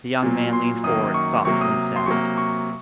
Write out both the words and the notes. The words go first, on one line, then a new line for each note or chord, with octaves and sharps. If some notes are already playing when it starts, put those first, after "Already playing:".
The young man leaned forward, thoughtful and sad.
A#2 F#3 A#3
C6
F#2 D#3 F#3 A#3 D#6
C#6
C3 F#3 A#3 C#6
D#6
C6
C3 F#3 A#3 C#6
C#6